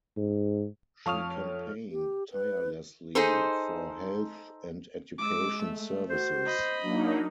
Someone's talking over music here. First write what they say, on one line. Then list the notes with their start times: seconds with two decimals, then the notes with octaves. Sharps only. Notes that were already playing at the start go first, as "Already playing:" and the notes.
She campaigned tirelessly for health and education services.
0.17 G#2
1.06 F2 A4 C#5 F5 D#6 F6
1.91 G4
2.32 B4
3.15 D#4 G#4 A4 C5
5.19 G#3 D6 E6
5.63 A3
6.09 F#4 C5
6.46 D#5 B5
6.83 F#3 A#3 D4 D#4